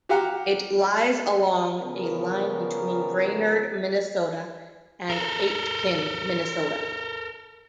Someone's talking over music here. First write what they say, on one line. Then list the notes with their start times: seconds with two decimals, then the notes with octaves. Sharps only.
It lies along a line between Brainerd, Minnesota, and Aitkin, Minnesota.
0.09 F#4 G4 F5 F#5 A#5
1.82 C#3 F3 G3 B3 A#4
5.10 A4 A#4